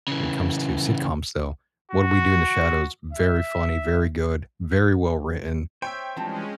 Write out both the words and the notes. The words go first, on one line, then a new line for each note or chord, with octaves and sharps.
when it comes to sitcoms, though, What We Do in the Shadows, very funny, very good, very well-written.
C#3 E3
F#4
E5
C5 C#5 E5 G5
E3 F3 G3 G#3 C4 C#4 A5